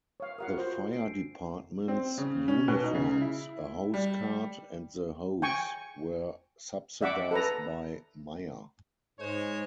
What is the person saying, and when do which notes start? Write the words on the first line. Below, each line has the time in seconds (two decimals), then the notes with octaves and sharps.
The fire department's uniforms, a hose cart and the hose were subsidized by Meyer.
0.20 C#5 F5
0.38 F4 G4 A#4 F5 F#5 D#6
0.56 F#4 C5
0.93 D4 C7 D7
1.88 C4
2.18 C#3
2.48 C#4
2.68 B2
2.83 D#4
2.95 C#3
3.21 E4
3.94 G3
5.42 G5 G#5 C#6
7.01 D5 E5 F#5 D6
7.31 A4 B4 A#5
9.19 G#2 G#3 C5 C#5